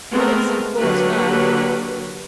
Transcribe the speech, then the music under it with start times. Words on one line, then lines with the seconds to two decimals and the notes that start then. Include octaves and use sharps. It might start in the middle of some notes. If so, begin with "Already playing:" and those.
But it's in force now.
0.13 G#3 A3 B3 C4 A#4
0.78 D3 F#3 A#3 G4 B4